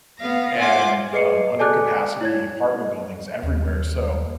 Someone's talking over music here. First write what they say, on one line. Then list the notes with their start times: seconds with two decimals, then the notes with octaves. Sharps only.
and, um, under-capacity apartment buildings everywhere. So
0.17 B3 F5 A#6
0.56 F4 E5 F#5 G#5 C6 D6
1.13 G#4 B4 D#5 C7 C#7
1.59 A4 D5 G#5 A5 D6 F#6
2.21 E4 C#5 G#6
3.43 D#2